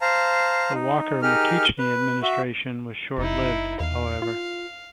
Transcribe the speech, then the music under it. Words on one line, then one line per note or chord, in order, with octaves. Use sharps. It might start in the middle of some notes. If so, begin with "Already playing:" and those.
The Walker-McKeachnie administration was short lived, however.
C5 F5 A5 A#5
D#4
D#4 G4 G#4 A#4 F6
B4
F#4 E5
F#1 D#4 E4
E2 F5
F4